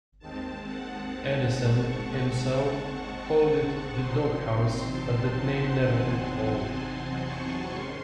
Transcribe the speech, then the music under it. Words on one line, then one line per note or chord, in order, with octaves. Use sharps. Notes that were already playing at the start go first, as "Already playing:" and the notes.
Edison himself called it "The Doghouse", but that name never took hold.
D#2 D#3 G#3 C4 A5
F#5
A5
C#6
E2 C3 F#3 C4 D#4 C6
A5
F#5
G#5
A5
C6
C6
C#6
G#2 D#3 G#3 C#4 C6